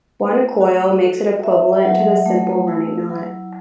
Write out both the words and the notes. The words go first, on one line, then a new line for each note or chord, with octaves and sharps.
One coil makes it equivalent to the simple running knot.
A3
F#4
A4
E5
F#3
A3
E4
F#3